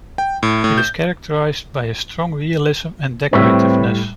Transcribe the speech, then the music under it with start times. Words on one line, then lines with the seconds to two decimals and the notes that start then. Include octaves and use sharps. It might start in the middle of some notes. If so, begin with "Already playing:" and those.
It is characterized by a strong realism and decorativeness.
0.18 G5
0.43 A2
0.64 A2
0.78 G6
3.33 A2 G3 C4 B4 C#5 E5